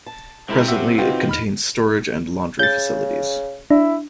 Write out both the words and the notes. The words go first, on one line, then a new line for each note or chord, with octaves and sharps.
Presently, it contains storage and laundry facilities.
A5
C3 G#3 C4 E4 G4 A#4
A2 F#4 E5 E6
D#4 F4 F#4 B4 G5
E2 B5 F6
C#3 G6 A6
D4 E4